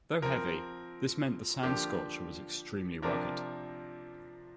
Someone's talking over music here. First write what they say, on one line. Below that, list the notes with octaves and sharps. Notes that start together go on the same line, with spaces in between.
Though heavy, this meant the Sand Scorcher was extremely rugged.
F3 C4 A#4
D3 F3 A#3 D4 G4
C3 F3 D4 A#4